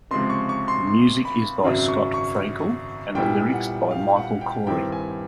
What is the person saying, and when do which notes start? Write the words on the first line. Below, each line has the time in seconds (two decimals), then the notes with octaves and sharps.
The music is by Scott Frankel and the lyrics by Michael Korie.
0.11 C#2 C3 F3 G#3 C6
0.30 C#6
0.49 C#6
0.68 C6
0.87 C6
1.25 B5
1.63 G#1 F#2 C#3 F#3
1.88 C#6
2.14 C#6
3.15 A#2 G3 B3 E4 G5
3.53 F#5
3.91 F5
4.16 F#5
4.41 G5
4.67 G2 D#3 G3 C4 E4 G5
4.92 G#5